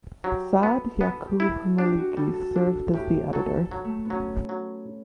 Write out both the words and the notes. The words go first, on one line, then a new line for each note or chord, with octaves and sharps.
Saad Yaqoub Maliki served as the editor.
F#3 G4
B3 A4
B3 A4
G4
E4
A4
D4 G4
F#4
G3 A4
A4
D4 A4
A2 G4
F#3 A4
A4
F#3
A3
B3
F#3 C#4
F#3